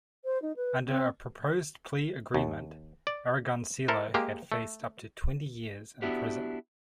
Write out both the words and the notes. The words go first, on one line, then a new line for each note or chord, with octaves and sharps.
Under a proposed plea agreement, Aragoncillo had faced up to twenty years in prison.
C5
D#4
B4
C4
D#2
D5
E4 A4 A#4 C5
G#3 A#3 G4
A3
B3 D4 E4 F#4 G4